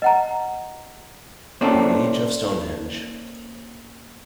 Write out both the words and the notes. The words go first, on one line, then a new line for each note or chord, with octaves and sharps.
"The Age of Stonehenge".
D#5 F#5 A#5
A#3 C4 C#4 E4 A4 D5